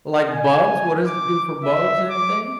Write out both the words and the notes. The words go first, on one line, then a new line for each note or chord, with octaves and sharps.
Like bugs? What does it do for bugs? Anything?
G#5
D6
E5
D6